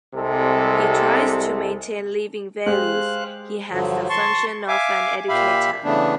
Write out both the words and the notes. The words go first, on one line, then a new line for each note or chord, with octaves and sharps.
He tries to maintain living values, he has the function of an educator.
C2 C3 G3 G#3 A4
G#3 G4 G#4 C5 F5 F#6
G2 D3 F3 F#3
A5 C6 C#6
E5 F5 G#5 D6
A#2 G4 E5 F5 B5
C#3 E3 A3 B3 D4